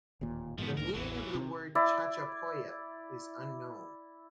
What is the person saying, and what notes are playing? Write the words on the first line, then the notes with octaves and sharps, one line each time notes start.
The meaning of the word "chachapoya" is unknown.
D1 D#2 A#2
G#2 B2 D#3 F3 B3
C#2 A2 D3 A#4
A1 E2 E3 F#3
C3
E4 D5